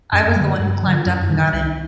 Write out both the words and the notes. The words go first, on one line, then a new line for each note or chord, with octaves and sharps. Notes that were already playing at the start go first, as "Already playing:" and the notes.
I was the one who climbed up and got in.
F#2
D3 G3
G2
D3 F#3
F#2
D#3 G3
C2